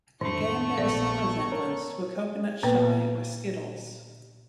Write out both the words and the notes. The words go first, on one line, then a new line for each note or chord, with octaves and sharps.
The game bears some resemblance to a coconut shy or skittles.
F2 A2 D#3 A3 D4 C#6
A#1 B3 A4 D5
A#4 C#5
A#2 A#3 B3 B4 G5